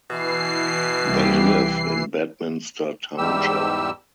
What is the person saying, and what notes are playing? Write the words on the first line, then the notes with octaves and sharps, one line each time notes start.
They live in Bedminster Township.
B2 E3 C7
C2 G4
E2 G#2 G3 G4 E6